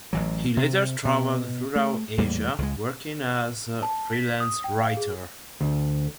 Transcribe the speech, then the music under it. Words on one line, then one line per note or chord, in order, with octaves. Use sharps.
He later traveled throughout Asia working as a freelance writer.
A1 E3 F#3
C3
B2
A3
E2 A2 G3 A#3
C#2 G#3
A5
B6
D#6
G5
F5
G#4
D2